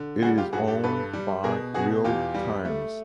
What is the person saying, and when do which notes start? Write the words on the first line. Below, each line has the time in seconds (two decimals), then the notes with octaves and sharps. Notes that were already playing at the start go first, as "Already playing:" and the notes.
It is owned by Real Times.
Already playing: D3
0.22 G3 F#4 G#4
0.38 F4 G4
0.53 G2 F#4 G#4
0.68 G4 A4
0.84 G2 A4 B4
1.13 G3
1.43 B2 G#4 A#4
1.74 B2 F#4 G#4
2.04 E2 F4 G4
2.34 G3
2.65 A3